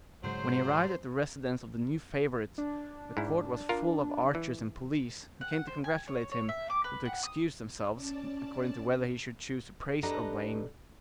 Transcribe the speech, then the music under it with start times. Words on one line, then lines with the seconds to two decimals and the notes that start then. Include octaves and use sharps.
When he arrived at the residence of the new favorite, the court was full of archers and police, who came to congratulate him, or to excuse themselves, according to whether he should choose to praise or blame.
0.24 G#2 C#3 F#3 G#3 C5
2.58 D4
3.17 G#2 E4
3.69 F4 A#4
4.35 E3
5.41 F#5
5.52 F#5
5.67 C5
5.84 G#5
6.08 C#5
6.31 C#5
6.49 E5
6.70 D6
6.84 B4
7.05 F#5
7.23 D#6
7.94 C#4 D5 A5
10.03 D4 G4 A4 B4 D#5 A#5